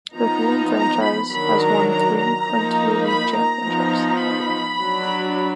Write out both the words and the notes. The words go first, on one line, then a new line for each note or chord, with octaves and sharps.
The Freedom franchise has won three Frontier League championships.
F3 B3 D#4 A#5
A#5
B5
D#3 F#3 D4 B5
A#5
A#5
A#5
F3 A#3 D#4
B5
A#5
F3 B3 D#4
B5
F#3 D4